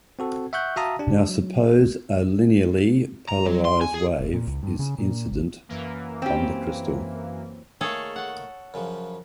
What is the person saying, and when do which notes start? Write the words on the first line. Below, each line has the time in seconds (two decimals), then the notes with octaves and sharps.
Now suppose a linearly polarized wave is incident on the crystal.
0.19 C4 F#4 A4
0.53 E5 F#5 C#6 F#6 G6
0.76 F#4 E5 F5 A5 A#5 D#6
0.99 D4 G4
1.29 F#3
3.29 A#5
3.46 F#3
3.65 C6
3.81 G#5
3.94 G#4
4.20 F#1
4.33 A#2
4.47 C#2
4.63 G2
4.79 C#3
4.98 A#2
5.32 G#1
5.69 F#2 E3 A#3
6.22 C4 C#4 G4
7.81 D#3 A3 A#3 G#4 A4 C#5
8.16 A4 F#5
8.74 F#2 C#3 F3